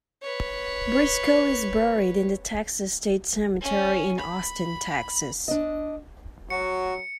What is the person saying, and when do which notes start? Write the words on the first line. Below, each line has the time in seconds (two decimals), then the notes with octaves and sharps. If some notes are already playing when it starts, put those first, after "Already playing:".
Briscoe is buried in the Texas State Cemetery in Austin, Texas.
0.22 B4 C#5
3.61 C#4
4.19 B5
5.48 D4 D#5
6.50 F#3 F#4 C#7